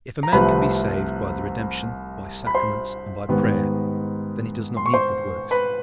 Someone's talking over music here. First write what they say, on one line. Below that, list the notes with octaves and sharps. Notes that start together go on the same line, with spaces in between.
If a man can be saved by the redemption, by sacraments, and by prayer, then he does not need good works.
A#5
C2 C3 F3 A3 B4 B5
B5
C5 C6
G#2 D#3 G3 B3
C6
C#6
C5 C6
B4 B5